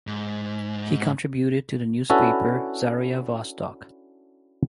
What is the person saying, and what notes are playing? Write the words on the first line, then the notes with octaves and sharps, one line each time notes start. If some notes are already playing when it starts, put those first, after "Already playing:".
He contributed to the newspaper "Zaria Vostok".
G#2
C#4 D4 E4 F#4 A4 B4